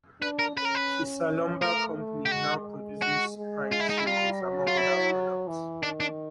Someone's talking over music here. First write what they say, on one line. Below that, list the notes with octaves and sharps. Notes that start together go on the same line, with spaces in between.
Kiser Lumber company now produces pine shingles, among other products.
D4 B4
A#4
C#4 B4
A#4
B4
A3 A#4
A3
G4
G#3 F#4
F#4
G#3
F4
E4
D#4
E4
G3 F4
F#3
F4
E4
E3
D#3 D4
D4